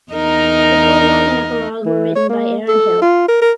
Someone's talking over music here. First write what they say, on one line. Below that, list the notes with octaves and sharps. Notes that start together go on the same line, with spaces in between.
The prologue and epilogue were written by Aaron Hill.
E2 D#4 A#4
E3
C#5
A#3
A4
F4
A#4
A#4